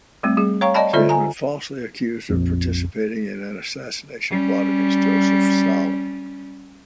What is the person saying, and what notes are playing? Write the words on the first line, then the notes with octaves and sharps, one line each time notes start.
She had been falsely accused of participating in an assassination plot against Joseph Stalin.
G3 A3 C4
G3 G#4
C#5 F5 G5 A#5 C#6
D5 D#5 G5 A5 B5
D3 F4 A4 C5 D5 E5
G#5 A#5
A#1 F2
G3 C#4